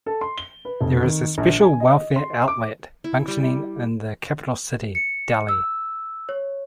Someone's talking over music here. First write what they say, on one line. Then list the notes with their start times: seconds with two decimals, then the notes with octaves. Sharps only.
There is a special welfare outlet functioning in the capital city, Delhi.
0.06 A4
0.21 C6
0.38 G7
0.65 B4
0.80 F1
1.03 D#3
1.38 A#1
1.60 G#5
1.80 D#5
2.16 C6
2.48 D6
3.04 E4
3.28 G3
4.95 C#7
5.49 E6
6.29 C#5